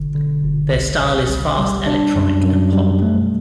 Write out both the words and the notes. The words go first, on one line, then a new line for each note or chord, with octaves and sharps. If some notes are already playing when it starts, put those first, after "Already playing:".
Their style is fast electronic and pop.
Already playing: G1 D3
D3
G1
C2
C2
C2
G3
D4
F#2
F#2
G3
A3